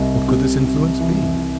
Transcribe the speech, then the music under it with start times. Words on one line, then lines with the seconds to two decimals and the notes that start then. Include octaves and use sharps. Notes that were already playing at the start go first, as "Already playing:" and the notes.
What could this influence be?
Already playing: C2 C3 D#5
0.28 C3
0.64 C3
1.00 E3
1.37 E3